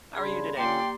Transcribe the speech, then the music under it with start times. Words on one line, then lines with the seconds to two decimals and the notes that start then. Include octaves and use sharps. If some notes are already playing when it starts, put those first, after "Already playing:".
How are you today?
0.15 C#3 G3 D4 G#4 B5 C6
0.57 D3 A#3 C#4 F4 G4 D5 G5 C6